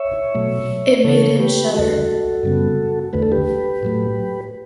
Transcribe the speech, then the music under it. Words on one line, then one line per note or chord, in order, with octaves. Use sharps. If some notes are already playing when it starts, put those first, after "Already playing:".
It made him shudder.
Already playing: C#5 E5
B2 F#3 A3
C#3 E3 A3 A4 C#5
G4 B4
E2 D3 A3 F#4 A4
F#2 C#3 G3 B3
E2 D3 A3 B4
A4
G4 B4
A2 F#3 A3